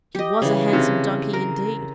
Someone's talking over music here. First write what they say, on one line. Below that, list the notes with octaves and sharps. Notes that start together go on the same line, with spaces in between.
He was a handsome Donkey indeed!
G4 D#5
C#3 E3
C3
A#4